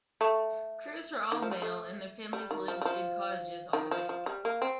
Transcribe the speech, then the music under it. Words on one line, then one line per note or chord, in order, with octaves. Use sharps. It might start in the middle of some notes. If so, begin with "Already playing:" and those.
Crews were all male and their families lived in cottages on the bank.
A3
D#3
F3
G3
A3
G3
D#3
F3
G3
F3
D#3
F3
F3
G3
A#3
C4